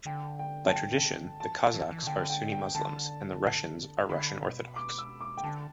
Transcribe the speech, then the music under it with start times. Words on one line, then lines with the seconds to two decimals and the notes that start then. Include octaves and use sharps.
By tradition the Kazakhs are Sunni Muslims, and the Russians are Russian Orthodox.
0.05 D3 G5
0.39 G5
0.67 A5
0.73 G5
1.40 E3 A5
1.74 E3
1.91 E3
2.03 B2
2.07 D3 G5
2.30 G5
2.52 G5
2.75 D3 A5
4.09 D3 B5
4.43 B2
4.76 D6
4.98 E6
5.21 D6
5.37 G5
5.44 D3 A5